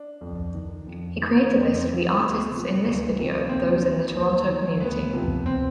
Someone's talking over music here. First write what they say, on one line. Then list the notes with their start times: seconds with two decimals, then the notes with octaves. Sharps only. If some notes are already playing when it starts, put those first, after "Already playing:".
He created this for the artists in this video those in the Toronto community.
Already playing: D4
0.21 F2
0.54 D#3
0.87 F2
1.20 D#3
1.52 F2 D4
1.61 C4
1.69 B3
1.77 C4
1.85 D#3
2.18 D2 B3
2.51 C3 F3
2.84 D2
3.16 C3 F3
3.49 D#2 C4
3.82 D#3
4.15 D#2
4.48 D#3
4.80 D2 B3
5.13 C3 F3
5.46 C4